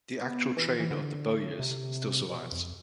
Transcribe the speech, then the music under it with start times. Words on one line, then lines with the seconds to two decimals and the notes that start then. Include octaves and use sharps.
The actual trade of the bowyers still survives.
0.21 B3
0.57 E3
0.80 E3
0.91 D3
1.60 C3
2.29 B2
2.52 F2